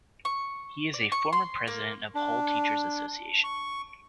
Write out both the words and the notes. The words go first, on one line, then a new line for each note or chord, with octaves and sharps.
He is a former President of Hull Teachers Association.
C#6
D5
C#6
C6
A#3
D4
C#6